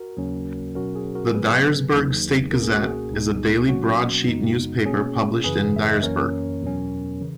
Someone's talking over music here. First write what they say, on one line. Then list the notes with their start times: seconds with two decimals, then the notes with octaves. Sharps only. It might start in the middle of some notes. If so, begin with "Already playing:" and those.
The "Dyersburg State Gazette" is a daily broadsheet newspaper published in Dyersburg.
Already playing: F#4 A#4
0.17 D#2 C#3 F#3 A#3 C#4
0.75 B2 F#3 C#4 F#4 A#4
0.95 G#4
1.15 F#4 A#4
1.35 G#2 F#3 B3 G#4 B4
1.92 E2 D#3 F#3 A#3 D#4
2.51 C#2 B2 A#3 C#4 A#4
2.64 G#4
2.76 F#4
2.88 G#4
3.10 C#2 B2 G#3 B3 D#4
3.69 B2 F#3 A#3 C#4 F#4
4.27 F#2 C#3 G#3 B3 D#4
4.86 B2 A#3 C#4 G#4
5.44 F#2 C#3 E3 G#4 B4
5.76 E5
5.91 D#5
6.03 F#2 E3 A#3 C#4 A#4 C#5
6.62 E2 B2 F#3 C#4
7.21 C#3 E3